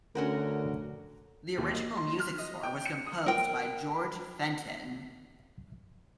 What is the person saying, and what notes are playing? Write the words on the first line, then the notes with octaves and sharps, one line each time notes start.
The original music score was composed by George Fenton.
D2 D3 C#4 F#4 A#4
D#2
D#5
C6
F6
D#5
G5
C#7
D#6
A#4 G5